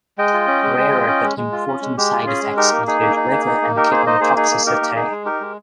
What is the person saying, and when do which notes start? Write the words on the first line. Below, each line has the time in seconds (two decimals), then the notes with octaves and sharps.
Rarer but important side effects include liver and kidney toxicity.
0.18 G#3 D#5 G5
0.34 F4
0.47 C#4
0.63 G#3
0.78 G#3
0.92 F4
1.07 C#4
1.23 G#3
1.37 G#3
1.52 F4
1.68 C#4
1.82 G#3
1.97 G#3 G4
2.13 F4
2.27 C#4 G#4
2.43 G#3
2.57 D#4 G4 A#4
2.72 A#3
2.87 D#4 G#4
3.01 A#3
3.16 D#4
3.32 A#3
3.47 D#4
3.62 A#3
3.76 D#4 G4 A#4
3.91 A#3 G#4 C5
4.06 D#4 C5 D#5
4.21 A#3 G#4 C5
4.36 D#4 G#4
4.51 A#3
4.66 D#4 G4 A#4
4.81 A#3
4.96 D#4 G#4
5.11 G#3
5.25 D#4 G4 A#4
5.41 G#3